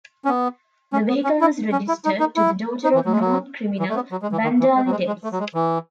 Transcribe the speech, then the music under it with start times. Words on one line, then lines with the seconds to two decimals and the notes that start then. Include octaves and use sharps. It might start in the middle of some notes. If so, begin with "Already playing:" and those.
The vehicle was registered to the daughter of known criminal, Bandali Debs.
0.25 C#4
0.29 B3
0.93 C#4
1.09 B3
1.24 C#4
1.41 E4
1.72 C#4
1.88 E4
2.05 D#4
2.20 D#4
2.36 E4
2.84 D#4
2.95 E3
3.05 F#3
3.12 G#3
3.20 F#3
3.79 E3
3.89 A3
3.95 B3
4.12 F#3
4.22 G#3
4.32 E3
4.43 D#3
4.60 E3
4.76 G#3
4.85 F#3
4.91 G#3
5.07 G#3
5.24 A3
5.32 F#3
5.40 G#3
5.54 E3